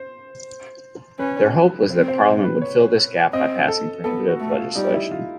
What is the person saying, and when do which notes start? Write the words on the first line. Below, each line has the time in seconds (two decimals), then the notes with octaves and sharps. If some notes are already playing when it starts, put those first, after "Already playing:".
Their hope was that Parliament would fill this gap by passing prohibitive legislation.
Already playing: C5
1.19 C#4 B4
1.90 C4 C5
2.08 C5
2.26 C5
2.44 B4
2.61 C#5
3.33 C4 D#5
3.68 A4
4.04 B3 A4
4.28 F#4
4.40 A3
4.52 F4
4.75 G3 D#4
4.94 E4
5.12 F4